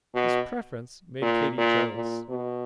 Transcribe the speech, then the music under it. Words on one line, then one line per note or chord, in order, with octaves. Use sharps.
This preference made Katy jealous.
B2
A#2
A#2
A#2
B2